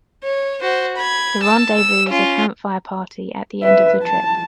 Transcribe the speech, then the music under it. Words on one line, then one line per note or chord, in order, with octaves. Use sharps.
The Rendezvous is a campfire party at the end of the trip.
C#5
F#4 C5
B5 G#6
A5 E6
E6
C#4 F4
B4 E5
A5